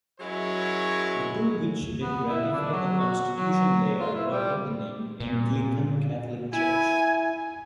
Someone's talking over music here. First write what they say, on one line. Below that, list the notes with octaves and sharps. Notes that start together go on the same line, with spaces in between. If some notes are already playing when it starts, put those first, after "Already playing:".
The two which did ratify the constitution later adopted the name Anglican Catholic Church.
F#2 F#3 G#3 E4 C#5
B3
E4
D4
F#3
F#4
F#3
F4
E4
G3
A#2
E4 G#5